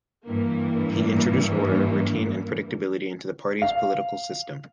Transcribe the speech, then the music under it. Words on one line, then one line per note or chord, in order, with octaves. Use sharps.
He introduced order, routine and predictability into the party's political system.
G2 E3 A#3
F5